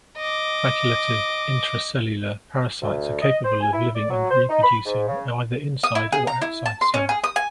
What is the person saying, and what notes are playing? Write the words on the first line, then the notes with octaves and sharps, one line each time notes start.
Facultative intracellular parasites are capable of living and reproducing either inside or outside cells.
D#5 D6
D2
D#5
C5
G#5
E4
D5
F#3
C5
D#4
B5
G#2
C#3
D#6
E4
G#4
A#5
E4
A5
C6
C#4
G#4
D#6
G#5